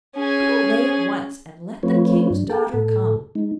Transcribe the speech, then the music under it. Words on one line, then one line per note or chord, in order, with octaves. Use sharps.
Go away at once, and let the King's daughter come.
C#4 G#4
F3 A3 C4 F4 B4 C#5
G2 F#3 D4
G#4 A4 G5 A5
A2 A4
G#3 D#4